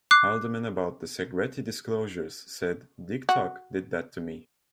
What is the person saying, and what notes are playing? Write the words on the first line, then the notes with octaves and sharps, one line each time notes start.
Haldeman about the Segretti disclosures, said, Dick Tuck did that to me.
D6 F#6 C7
F#4